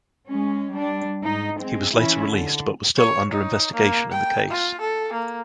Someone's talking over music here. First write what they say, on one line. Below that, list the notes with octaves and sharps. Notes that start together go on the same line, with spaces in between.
He was later released but was still under investigation in the case.
G#3 C#4
G3 D4
G#2 D#4
G#3 C4
E3 C#4 E4
D3
C#5
D#4
A#3
G5
F4
A4
A#3